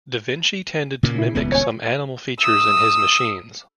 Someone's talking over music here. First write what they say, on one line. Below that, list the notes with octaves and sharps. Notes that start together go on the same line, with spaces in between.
Da Vinci tended to mimic some animal features in his machines.
A#2 C#3 A#3
E4
D#1 C#2 B3
C#5 G#5
D#6 E6